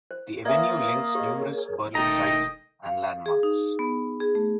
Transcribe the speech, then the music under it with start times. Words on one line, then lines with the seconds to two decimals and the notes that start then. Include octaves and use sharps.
The avenue links numerous Berlin sights and landmarks.
0.11 C5
0.45 A#3 F4 B4 C#5 D5 E5 G#5 D#6
1.15 G4 G#4 A#4 C#5 D#5
1.95 E1 D#3 A3 D#4 D#5 G5 A#5
2.86 F5
3.26 G#4
3.43 D#4
3.79 B3
4.20 G#4
4.35 A3